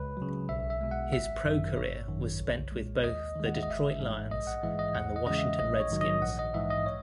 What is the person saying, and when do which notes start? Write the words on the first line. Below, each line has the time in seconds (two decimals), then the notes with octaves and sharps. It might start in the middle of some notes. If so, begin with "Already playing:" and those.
His pro-career was spent with both the Detroit Lions and the Washington Redskins.
Already playing: C#2 B4
0.17 C#3 F#3
0.49 B1 E5
0.70 E5
0.81 B2 G#3
0.91 F#5
1.13 G#1 E5
1.44 F#2 D#3
1.76 G#1 C#5
2.09 F#2 D#3
2.40 B1
2.72 A#2 G#3
3.04 D#2 D#5
3.35 D#3 G#3
3.46 F#5
3.54 E5
3.63 D#5
3.68 G#1 E5
3.99 G#2 E3 G#3
4.31 A#1 D#5
4.47 F#5
4.63 G#2 E3 G#3 E5
4.79 D#5
4.95 E2 F#5
5.16 D#5
5.27 C#3 E3 G#3 D#5
5.38 E5
5.59 A#1 D#5
5.80 C#5
5.90 G#2 D#3 F#3
6.01 D#5
6.22 A#1 F#5
6.39 D#5
6.54 G#2 E3 E5
6.70 D#5
6.86 C#5